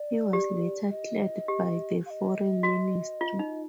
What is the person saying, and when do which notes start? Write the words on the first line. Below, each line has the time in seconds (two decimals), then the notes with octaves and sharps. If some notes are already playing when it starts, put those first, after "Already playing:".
He was later cleared by the Foreign Ministry.
Already playing: D5
0.33 G4
0.91 D#5
1.48 G4
2.06 F5
2.10 D#5
2.63 F#4
3.21 F4
3.39 D#4